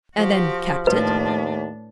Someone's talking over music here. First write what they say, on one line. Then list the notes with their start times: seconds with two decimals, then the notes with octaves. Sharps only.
"And then kept it?"
0.16 F3 F#4 G4
0.87 D#2 A2 D4 B4